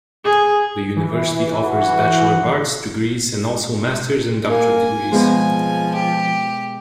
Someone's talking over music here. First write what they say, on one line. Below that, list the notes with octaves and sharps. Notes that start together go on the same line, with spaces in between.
The university offers Bachelor of Arts degrees and also Master's and Doctorate Degrees.
G#4
E3
F#4
A#3 G#5
B2 F3 G#3
G4